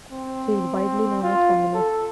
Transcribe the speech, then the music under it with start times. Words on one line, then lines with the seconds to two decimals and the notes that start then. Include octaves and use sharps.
She is widely known as a feminist.
0.11 C4
1.22 F4
1.74 A4